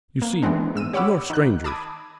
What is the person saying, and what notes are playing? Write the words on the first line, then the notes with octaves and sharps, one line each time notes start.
"You see, we are strangers."
A#3
D#3 E3 G#3 B3 C4 D4
G#2 E6 D#7
G4 C#5 F#5 B5 D6 E6
D#3 F#6
A5 B5 D6 D#6 G#6